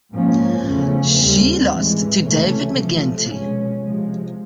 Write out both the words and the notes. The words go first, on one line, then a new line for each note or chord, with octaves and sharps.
She lost to David McGuinty.
G#2 F3 A#3 C#4
E2 C#3 F3 A3 C#4
D#2 D3 G3 C4
A2 E3 G#3
C#2 C3 E3 A3 C#4
C3 F3 A3
B2 G#3 C#4
C3 F3 G#3